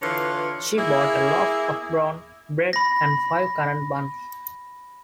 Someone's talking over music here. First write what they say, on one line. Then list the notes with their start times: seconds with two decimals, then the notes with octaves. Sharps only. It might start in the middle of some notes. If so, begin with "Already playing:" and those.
She bought a loaf of brown bread and five currant buns.
0.02 D3 E3 F4 B4 C#5
0.77 A#3 E4 G#4
2.73 B5 A#6